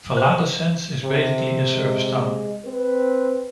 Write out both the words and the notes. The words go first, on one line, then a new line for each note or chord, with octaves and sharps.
Viladecans is basically a service town.
C5
C3
G#3
C4 B4